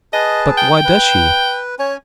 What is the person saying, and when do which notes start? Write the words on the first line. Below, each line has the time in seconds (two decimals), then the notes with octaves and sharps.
"But why does she?"
0.13 G#4 B4 D#5 A5
0.58 G5
0.84 B4
1.79 C#4 C#5 G#5